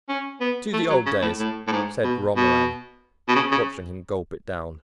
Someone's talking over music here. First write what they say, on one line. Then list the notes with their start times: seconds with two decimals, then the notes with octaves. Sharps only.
"To the old days," said Romarin, watching him gulp it down.
0.09 C#4
0.41 B3
0.73 A3
0.90 F#3
1.06 C#3
1.22 A2
1.39 A2
1.68 A2
1.72 G#2
2.04 B2
2.37 B2
3.28 B2
3.36 C#3
3.52 C#3